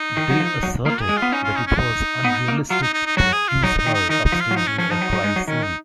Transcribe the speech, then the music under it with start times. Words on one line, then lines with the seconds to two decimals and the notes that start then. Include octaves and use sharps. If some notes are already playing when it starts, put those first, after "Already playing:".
They asserted that it was unrealistic to accuse her of staging a crime scene.
Already playing: D#4
0.17 D#3
0.30 F#3
0.40 F3
0.63 F#3
0.86 A#3 F4
1.01 G#4
1.09 G#3
1.17 F4
1.22 B3
1.32 C#4 D#4
1.44 F4
1.56 D#4
1.66 C#4
1.78 D#4
2.25 B3
2.48 A#3
2.70 F#3 F4
2.82 D#4
2.93 D#4
3.06 D#4
3.17 F#3 F#4
3.32 G#4
3.48 F4
3.63 F#3 D#4
3.78 D#4
3.87 D#3
3.94 D#4
4.09 D#3 D#4
4.25 D#4
4.32 F3
4.40 F4
4.51 F#3
4.55 F3 D#4
4.67 C#4
4.78 F3 C#4
4.91 F3 D#4
5.01 F#3
5.12 F#3
5.24 G#3
5.36 F#3
5.47 D#3 C#4
5.63 D#4